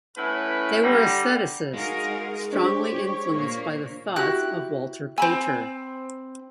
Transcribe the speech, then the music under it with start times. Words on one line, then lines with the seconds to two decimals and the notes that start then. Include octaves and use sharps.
They were Aestheticists, strongly influenced by the thoughts of Walter Pater.
0.17 A2 B3 C#4 E4 B4
0.82 D3 G3 A#5
1.74 G#3 D#4 F#4 G#4 A#4 F5
2.53 D4 G4 C5 C#5 C#6
3.32 A#2 A#3
4.16 E4 F#4 G4 F#6
5.18 C4 G#5 B5 E6